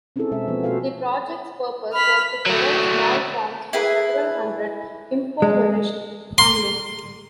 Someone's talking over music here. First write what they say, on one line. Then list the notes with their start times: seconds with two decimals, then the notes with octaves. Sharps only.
The project's purpose was to provide small farms for several hundred impoverished families.
0.16 C4 C#4 D#4 E4 G#4 A4
0.31 B2 G#3 C4 C#4 E5
0.47 F3 B3
0.64 A#3 F#4 A4 C5 F5
1.93 B5 F6 B6
2.46 F#3 A3
3.73 E4 G#4 B4
5.42 G#3
6.38 C6